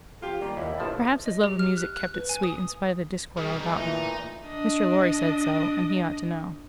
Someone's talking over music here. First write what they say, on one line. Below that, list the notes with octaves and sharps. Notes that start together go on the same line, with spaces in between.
Perhaps his love of music kept it sweet in spite of the discord all about him; Mr. Laurie said so, and he ought to know.
F2 F4 G4
D#3 G3 A#3
D#2 E4
A1 F3 A5
D#5
G4
F6
F#6
F#6
B4
G#5
D#6
B2 G3 G#4 F6
D#4
A#2 E3 A3 D#4
D4 D#5